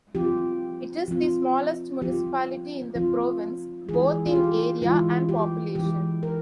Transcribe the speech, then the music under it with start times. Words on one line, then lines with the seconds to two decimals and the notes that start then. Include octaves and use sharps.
It is the smallest municipality in the province, both in area and population.
0.15 F3 C4 F4 G4
1.08 F3 C4 F4
2.02 F3 C4 F4 G4
2.95 F3 C4 F4
3.89 E3 G#3 E4 G#4
4.26 F4
4.35 G4
4.82 E3 G#3 E4 F4
5.29 G4
5.75 E3 G#3 E4 G4
6.23 A#4